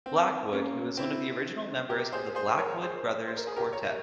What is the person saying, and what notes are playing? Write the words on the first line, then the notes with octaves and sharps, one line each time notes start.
Blackwood, who was one of original members of the Blackwood Brothers Quartet.
C4
A#3 C#4
C4 E4
G4 A#4
G#4 C5
G#4 C5
A#4 C#5
G#4 C5
C5
A#4
G#4
G4 A#4
A#4 C#5